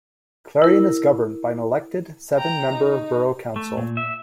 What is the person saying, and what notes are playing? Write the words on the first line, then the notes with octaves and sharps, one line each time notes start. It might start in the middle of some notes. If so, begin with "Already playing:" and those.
Clarion is governed by an elected, seven member Borough Council.
E4 A#4
G5 A#5
D#4
A3
A#2
E5